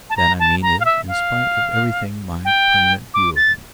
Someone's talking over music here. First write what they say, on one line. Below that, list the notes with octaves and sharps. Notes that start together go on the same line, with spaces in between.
That, I mean, is, in spite of everything, my permanent view of him.
A5
A#5
A5
A#5
F5
E5
F5
G5
D6
A6